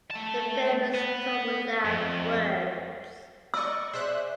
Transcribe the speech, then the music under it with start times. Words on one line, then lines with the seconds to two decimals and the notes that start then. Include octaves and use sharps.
The film is told without words.
0.11 A3 A5
0.94 B3
1.85 F2
3.54 D5 D#5 C#6 E6
3.93 G#4 A#4 C5 D5 E5 F#6